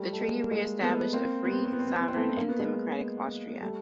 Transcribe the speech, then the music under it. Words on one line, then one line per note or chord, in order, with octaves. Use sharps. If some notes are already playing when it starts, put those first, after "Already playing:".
The treaty re-established a free, sovereign and democratic Austria.
Already playing: G3 A3
A3
G#3 A#3
G#3 A#3
A3 B3
A#3 C4
B3
C4
B3
C4
B3
C4
B3
C4
B3
C4
A3 B3
A#3
B3
G#3 A#3
G3 A3